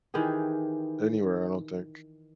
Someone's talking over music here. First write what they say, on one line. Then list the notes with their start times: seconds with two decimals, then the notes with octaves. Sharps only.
anywhere, I don't think.
0.14 D#3 E3 G4 G#4